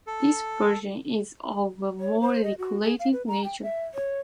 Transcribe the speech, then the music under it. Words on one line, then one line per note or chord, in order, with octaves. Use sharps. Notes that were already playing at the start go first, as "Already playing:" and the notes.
This version is of a more decorated nature.
A4
C#5
C5
D#5
F#4
G#4
F5
B4
A#5
G5
E5
C#5